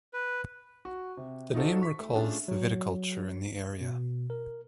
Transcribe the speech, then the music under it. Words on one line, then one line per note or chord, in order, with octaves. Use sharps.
The name recalls the viticulture in the area.
B4
F#4
C3
D#4 F4 F#4 A4 C5
C#6 B6
A3
A3 C#4 D4 F4 G#4
F#3
B2
A#4